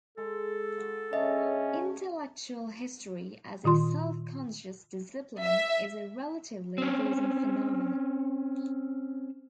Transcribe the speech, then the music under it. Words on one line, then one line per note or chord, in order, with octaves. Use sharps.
Intellectual history as a self-conscious discipline is a relatively recent phenomenon.
G#3 A4
F#4
C#3 C#4 D4 G#4 D#5 E5
A#2 D#3 F4 C6
E5
C4 C#4